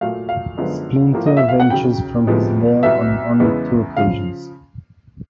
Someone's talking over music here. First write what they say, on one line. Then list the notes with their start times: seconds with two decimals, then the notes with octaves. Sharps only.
Splinter ventures from his lair on only two occasions.
0.01 A#2 F#3 A3 F5
0.29 F5
0.57 F#2 D3 F3 G#3 B3
1.13 A2 F3 A#3
1.26 D#5
1.37 E5
1.48 F5
1.60 F#5
1.70 D#2 C#3 F#3 G5
2.27 D2 C3 F3 G#3 B3
2.83 C2 B2 F#3 B3 E5
3.40 E2 C#3 E3 G#3 B3
3.97 C#3 F3 F5